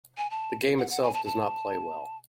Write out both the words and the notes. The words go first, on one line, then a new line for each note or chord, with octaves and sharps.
The game itself does not play well.
G#5
A5
F#5
F#5
G#5
A5
A5